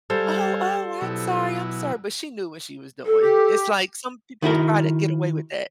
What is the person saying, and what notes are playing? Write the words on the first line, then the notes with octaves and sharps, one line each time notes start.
"Oh, oh, I'm sorry, I'm sorry," but she knew what she was doing. It's like some people try to get away with that.
G3 A4 C5 F5 G#5 A5
B2 F#3 E4
A4
G4
D#3 E4 F#4 A#4